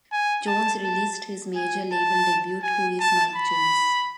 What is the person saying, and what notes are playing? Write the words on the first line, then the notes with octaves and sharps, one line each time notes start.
Jones released his major label debut, Who Is Mike Jones?
G#5
A5
A5
G#5
A5
G#5
A5
B5